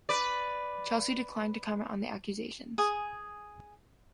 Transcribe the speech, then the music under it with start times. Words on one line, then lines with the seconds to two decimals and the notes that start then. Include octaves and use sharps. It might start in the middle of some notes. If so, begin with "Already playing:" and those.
Chelsea declined to comment on the accusations.
0.09 B4 D5
2.78 G#4 G#5 D#6